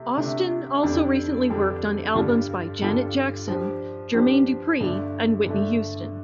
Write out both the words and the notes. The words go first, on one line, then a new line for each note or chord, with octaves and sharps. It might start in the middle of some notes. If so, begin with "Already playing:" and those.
Austin also recently worked on albums by Janet Jackson, Jermaine Dupri, and Whitney Houston.
Already playing: C3 A3
C3 A3 D4
F2 D3 G3 D4
F2 D3 G3 D4
G2 D3 G3 F4 A4
G2 D3 G3 F4 A4
F3 D4 G4
F3 D4 G4
G2 D3 A3
G2 D3 A3